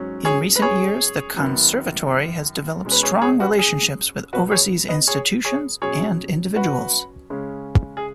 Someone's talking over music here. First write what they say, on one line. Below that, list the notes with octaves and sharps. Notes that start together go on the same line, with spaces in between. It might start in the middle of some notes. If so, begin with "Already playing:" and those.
In recent years, the Conservatory has developed strong relationships with overseas institutions and individuals.
Already playing: G#2 F#3 C#4
G#4 C#5
B4
G#4 C#5
F#2 D#3 B3
B2 G#3 C#4
B4
G#4 C#5
G#4 C#5
F#4 B4
G#4
B2 B3 F#4 B4
G#4 C#5
B4 D#5
G#4 C#5
G#4 C#5
B2 F#3 C#4 G#4 C#5
F#4 B4
C#3 G#3 C#4
G#4